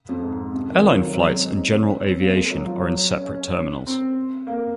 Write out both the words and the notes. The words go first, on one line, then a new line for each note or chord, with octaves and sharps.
Airline flights and general aviation are in separate terminals.
F2
G#2
C3
D#3
F3
F#3
F#3
G#3
C4
D#4
C#4
C4
A#3
G#3
F#3
F3
F#3
C#4
C#4
C#4
C4
A#3